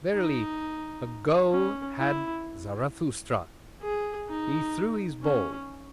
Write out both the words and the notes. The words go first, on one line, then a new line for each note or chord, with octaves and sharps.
Verily, a goal had Zarathustra; he threw his ball.
D#4
C#4
E4
G#4
D#4
C#4